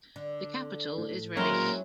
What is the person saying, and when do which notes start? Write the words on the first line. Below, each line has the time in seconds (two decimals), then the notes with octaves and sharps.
The capital is Remich.
0.16 D3
0.98 A2
1.37 F#3 G#3 A#3 C4 C#4 E4 A#4 C6